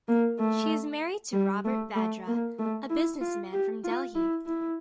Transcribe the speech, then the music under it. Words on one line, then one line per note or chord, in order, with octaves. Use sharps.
She is married to Robert Vadra, a businessman from Delhi.
A#3
A3
G3
A3
A3
A#3
A3
E4
F4
G4
F4
E4
E4